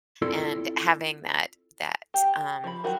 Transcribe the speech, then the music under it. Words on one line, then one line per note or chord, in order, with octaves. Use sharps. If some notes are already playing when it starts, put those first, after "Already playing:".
and having that that, um,
C4 E4 F4 A4 D5 C6
G4
F3 B5
D#3 F#3 F#4 A#4